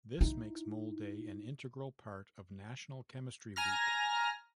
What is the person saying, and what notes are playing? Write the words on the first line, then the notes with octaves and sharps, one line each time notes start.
This makes Mole Day an integral part of National Chemistry Week.
D#4 E4
G#5 A#5 F6 A#6